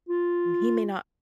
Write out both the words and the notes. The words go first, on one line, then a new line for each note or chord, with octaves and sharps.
he may not
F4